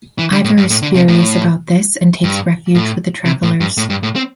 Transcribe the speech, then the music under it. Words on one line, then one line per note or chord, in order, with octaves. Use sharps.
Iver is furious about this and takes refuge with the travelers.
E3
D3
A2
G2
A2
D3
C3
A2
G2
A2
C3
A2
G2
A2
G2
A2
C4